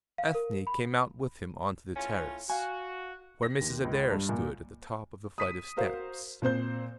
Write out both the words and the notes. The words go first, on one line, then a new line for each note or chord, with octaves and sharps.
Ethne came out with him on to the terrace, where Mrs. Adair stood at the top of the flight of steps.
F5
A#4
B5
A2 C#4 F4
F#4 F5 G#5
A#6
D#2
C#2
G2
A#2
D#6 B6 D#7
F#4 A#4 C5 F5
A#2 C4 C5 G6